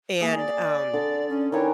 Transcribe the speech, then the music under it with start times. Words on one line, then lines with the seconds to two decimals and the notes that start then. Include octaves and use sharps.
and, um,
0.21 A#3 G#4
0.37 D5
0.93 D3
1.29 C#4
1.52 D#3 E3 C#5